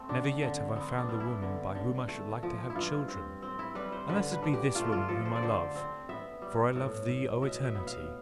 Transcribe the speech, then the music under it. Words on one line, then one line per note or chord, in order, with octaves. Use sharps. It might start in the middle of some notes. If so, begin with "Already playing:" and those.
Never yet have I found the woman by whom I should like to have children, unless it be this woman whom I love: for I love thee, O Eternity!
Already playing: A3 C4
D3 D4
D3
B3 C4
D4
G3
E4
D3
D3
A3
F3
E4
G2 F4
C4
C4
E4
G3 B4
C5
D3 B4
B4
D3
G4
A3 F4
G4
F4
F3 A4
C5
D5
D3 C5
C4
B3 E5
G3
A2
A2
B2 E5
E5
B3
F5